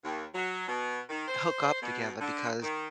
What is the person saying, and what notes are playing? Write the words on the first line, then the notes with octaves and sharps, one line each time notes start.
hook up together because
D#2
F#3
B2
D#3
C5
B2
D3
D#3